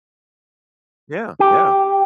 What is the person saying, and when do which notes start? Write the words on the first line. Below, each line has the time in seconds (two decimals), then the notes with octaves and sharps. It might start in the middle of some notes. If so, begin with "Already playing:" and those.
Yeah, yeah.
1.40 G4